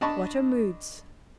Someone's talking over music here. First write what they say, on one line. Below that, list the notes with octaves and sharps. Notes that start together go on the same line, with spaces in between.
What are moods?
D4 D#5 A5 B5 C#6